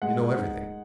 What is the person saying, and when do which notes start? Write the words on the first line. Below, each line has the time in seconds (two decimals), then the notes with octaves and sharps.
You know everything.
0.02 G#3 F#5
0.38 D#4